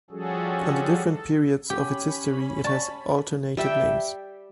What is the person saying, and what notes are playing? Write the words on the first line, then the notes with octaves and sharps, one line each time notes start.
Under different periods of its history it has alternated names.
F3 G3 C#4 F#4 G#4 A4
A4
C#4 G4 B5
D5 A5 C#6
G3 E5 G5